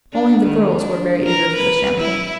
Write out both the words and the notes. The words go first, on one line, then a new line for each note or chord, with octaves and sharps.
Only the girls were very eager for the champagne.
D4
D#3
D4
A#4
B4
E4